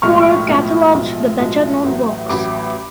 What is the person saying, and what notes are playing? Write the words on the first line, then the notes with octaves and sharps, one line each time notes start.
Forrer catalogued the better known works.
B1 A2 F3 G#3 C#6 F6
B1 A2 F3 G#3
B1 A2 F3 G#3
B1 A2 F3 G#3
A1 A2 F#3
A1 A2 F#3 B5 D6